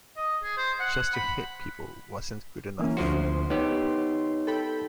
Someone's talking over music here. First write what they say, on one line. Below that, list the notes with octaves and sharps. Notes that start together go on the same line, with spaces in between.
Just to hit people wasn't good enough.
D#5
G#4
C5
F#5
B5
E3 A#3 C#4
D2 F3 F#4 C6
B3 D#4 G4 C#5
A4 G5 B5